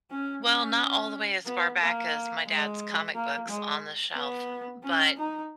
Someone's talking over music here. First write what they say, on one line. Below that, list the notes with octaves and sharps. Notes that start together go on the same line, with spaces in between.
Well, not all the way as far back as my dad's comic books on the shelf, but
C#4
C#4
B3
A#3
G#3
A#3
G#3
B3
C#4
D#4